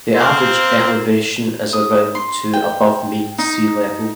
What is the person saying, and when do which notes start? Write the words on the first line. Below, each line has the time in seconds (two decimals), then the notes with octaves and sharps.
The average elevation is around to above mean sea level.
0.16 A#3 C4 C5
1.73 D#6
2.15 C6
2.53 G5
3.38 D#4